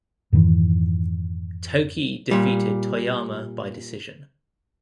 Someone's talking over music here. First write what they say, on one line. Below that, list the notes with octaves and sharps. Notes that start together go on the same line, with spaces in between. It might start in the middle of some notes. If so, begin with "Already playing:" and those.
Toki defeated Toyama by decision.
F2 G#2 D#3 E3
A#2 G3